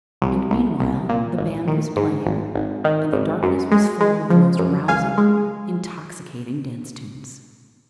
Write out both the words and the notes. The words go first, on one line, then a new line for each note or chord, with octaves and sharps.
And meanwhile the band was playing and the darkness was full of the most rousing, intoxicating dance-tunes.
C2
C2
C2
A#2
G#1
D#3
G#2
G#1
G#1
D#3
G#1
F#2
G#3
G#3
F3
F#2
C#2 F5 G#5
G#3